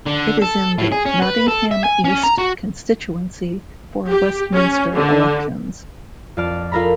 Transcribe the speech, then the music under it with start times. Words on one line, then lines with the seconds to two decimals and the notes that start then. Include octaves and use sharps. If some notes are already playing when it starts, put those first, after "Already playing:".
It is in the Nottingham East constituency for Westminster elections.
0.07 D3
0.42 A4
0.78 A2
0.92 G#4
1.05 C#4
1.22 B4
1.48 A4
1.71 E5
1.84 G#5
2.04 C#4
2.23 A#5
2.38 F#4
4.09 G4
4.54 C#4
4.96 D3
6.37 F2 F4 D5 A5 F6
6.72 F4 A4 A#4 A#5 B5